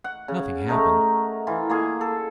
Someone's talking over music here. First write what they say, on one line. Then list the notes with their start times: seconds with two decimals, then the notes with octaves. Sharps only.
Nothing happened.
0.04 F#5
0.28 C#3
0.69 A3 D#4 A#4
1.47 E3 F4
1.69 A#3 F4 G#4
2.01 A4